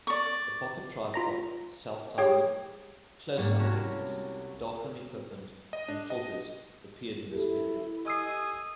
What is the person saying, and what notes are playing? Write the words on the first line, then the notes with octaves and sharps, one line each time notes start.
A pocket tripod, self-timer, close-up lenses, darkroom equipment and filters appeared in this period.
D5 C#6
F4 A#5 A#6
G4 G#4 C#5 G5
G#2 G3 A#3 C#4 F#5
C2 C#4 F#4 A#4 A5 E7
D#5
D4
D#5
E4 G4 A4
D#5 G#5 D#6 E6 C7